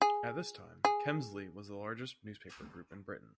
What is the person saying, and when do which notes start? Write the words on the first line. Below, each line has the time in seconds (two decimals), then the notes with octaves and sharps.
At this time, Kemsley was the largest newspaper group in Britain.
0.02 G#4
0.85 G#4